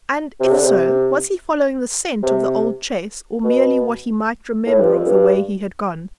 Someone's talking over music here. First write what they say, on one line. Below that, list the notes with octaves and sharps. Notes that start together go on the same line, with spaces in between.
And, if so, was he following the scent of the old chase or merely what he might remember of the way he had gone?
C3
D3
C3
C3
B2
A2
G2
F2
G2